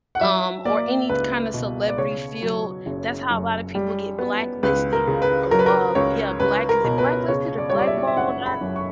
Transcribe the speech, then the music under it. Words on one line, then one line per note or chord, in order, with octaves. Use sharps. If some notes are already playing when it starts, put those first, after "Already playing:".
um, or any kinda celebrity field, that's how a lotta people get blacklisted, or, uh, yeah, black, is it blacklisted or blackballed, are
F#5
F#3 E5
A#3 D5
C#2 B4
B2
D5
C#3 C#5
F#3
F#1
F#2
G3
B3
C#2 B4
A#4
C#3
B4
F#3 A#4
B4
A#4
C#2 C#5
C#2 B4
A#4
B2
B4
C#3 C#5
D5
G3 C#5
D5
E5
D5
E5
F#1 F#5
B5
F#2
C#6